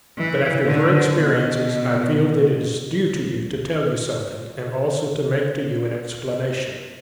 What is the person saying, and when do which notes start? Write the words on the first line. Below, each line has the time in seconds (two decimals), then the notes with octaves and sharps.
But after your experiences I feel that it is due to you to tell you something, and also to make to you an explanation.
0.17 E3
0.66 D3
1.14 B2